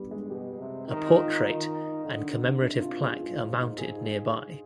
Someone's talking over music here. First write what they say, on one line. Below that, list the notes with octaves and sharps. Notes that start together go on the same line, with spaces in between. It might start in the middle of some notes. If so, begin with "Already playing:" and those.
A portrait and commemorative plaque are mounted nearby.
Already playing: G2 G3 B3
G#3
B2 G4
C3
D#3
F4
F4
D#3
D3 D#4
C3 D4
F4
B2
G#4
G#2 F4
D#4
D#4
G#4